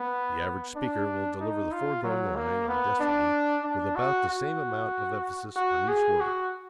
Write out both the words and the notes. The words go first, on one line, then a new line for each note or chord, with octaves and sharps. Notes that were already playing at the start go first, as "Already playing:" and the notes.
The average speaker will deliver the foregoing line on destiny with about the same amount of emphasis on each word.
Already playing: B3
D4
D#4
F4
F#3
A#3
B3
D4
D4
F#4
F#4
F#4
G#4
F#4